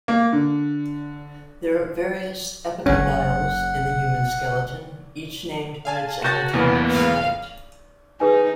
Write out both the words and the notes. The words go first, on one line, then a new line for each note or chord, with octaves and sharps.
There are various epicondyles in the human skeleton, each named by its anatomic site.
A#3
D3
F#1 G#2 C#4 F#5
F5 G#5 A5
F#4 A#4 C#5 A5 G6 A6 A#6
E2 A#3 B3
G#2 F5
D#4 G#4 B4 G#5